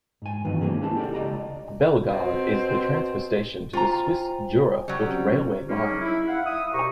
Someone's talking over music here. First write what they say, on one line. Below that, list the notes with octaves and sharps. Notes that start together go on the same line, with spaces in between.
Bellegarde is the transfer station to the Swiss Jura foot railway line.
G#2 G#5
G2 C3 D#3 E3 F#3 B3
G3 A#3 C4 C#4 G#4
C2 C#4 E4 A5
G4 A4 C5 D5 F#5
C#2 D5 D#5 A#5
B2 C4
F4 C5 G5 G#5 A#5
F#3 G3
C4 C#4 C5
C#3 F#3 G3 A#3 C#4 D#4
E4
F5 F#5
E5 D#6
C2 B2 G4 A#5 C#6